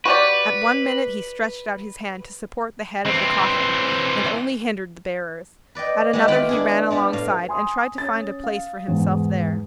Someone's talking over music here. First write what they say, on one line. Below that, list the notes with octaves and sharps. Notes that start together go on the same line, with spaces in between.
At one minute he stretched out his hand to support the head of the coffin and only hindered the bearers, at another he ran alongside and tried to find a place for himself there.
F#4 G4 B4 D5
E3 C4
B4 D5 D#5 G5
G#3 B3 E4 G4 E5
D#3 F4 G4 B4 G5 B5
D4 E4 G#4
G3 B3 D4
A2 F5
G#5 C6 D#6
C#4 A6
F5
E2 G#2